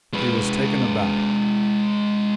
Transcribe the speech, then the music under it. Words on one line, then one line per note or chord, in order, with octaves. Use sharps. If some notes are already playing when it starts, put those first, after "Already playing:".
He was taken aback.
G#3 B4